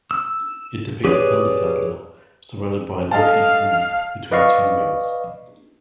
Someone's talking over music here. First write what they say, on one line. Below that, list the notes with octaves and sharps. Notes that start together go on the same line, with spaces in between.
It depicts the "Bundesadler" surrounded by an oak leaf wreath between two wings.
E6
G4 G#4 B4 C#5 D5
A4 D#5 F5 A5
B4 D5 D#5 F5 C#6